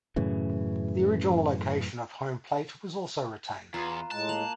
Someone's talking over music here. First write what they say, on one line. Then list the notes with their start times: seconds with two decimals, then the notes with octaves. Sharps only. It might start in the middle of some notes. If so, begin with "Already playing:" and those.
The original location of home plate was also retained.
0.16 F#2 A2 C#3 E3
3.74 E2 F4 B4 A#5
4.11 A2 G#3 A5 F#6
4.29 A#3 F7 F#7